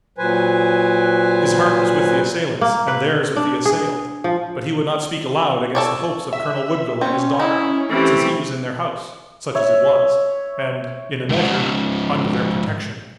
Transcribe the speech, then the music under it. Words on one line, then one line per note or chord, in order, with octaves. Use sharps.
His heart was with the assailants and theirs with the assailed, but he would not speak aloud against the hopes of Colonel Woodville and his daughter, since he was in their house, such as it was, and, in a measure, under their protection.
A#2 F#3 B4 C5 G#5
A#3
B4
D4
G#4
F3
A4 C#5 D5
E5
C4 C#4
D#4 E4
E3 A3 C4 G4
C#5 E5
C#2 G#2